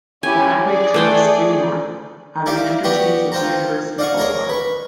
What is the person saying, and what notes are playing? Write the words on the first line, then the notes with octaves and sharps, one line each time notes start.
The highway curves due north, having an interchange with University Boulevard.
C#4 E4 G4 G#5
G#4 D5
A3 G5 C6
E4 G4 D5 F5 D6
B3 D4 F#4 G4 B4
C4 F4 C5 A5 A#5
D5 D#5 F5 F#5 C#6
G#4 A#4 C#5 D#5
B4 C#6